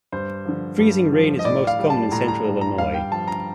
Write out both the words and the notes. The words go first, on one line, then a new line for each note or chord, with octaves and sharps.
Freezing rain is most common in central Illinois.
G2 C5
D3 F3
G2
D3 F3
D#5
A2 D5
F5
G3
A5
A2 A#5
A#5
G3 A#5
A#5
G2 F5
G5
F3 A5
A#5